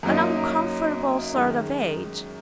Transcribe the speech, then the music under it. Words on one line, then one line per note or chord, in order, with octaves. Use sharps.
'An uncomfortable sort of age.
F#2 F#3 A#3 D#4
F#2 D#3 G#3